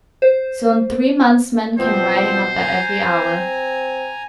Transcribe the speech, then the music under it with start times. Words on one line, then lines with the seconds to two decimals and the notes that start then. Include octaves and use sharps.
So in three months men came riding up at every hour.
0.22 C5
1.78 B2 F3 C4 C5
2.59 G#5 A#5
3.07 C4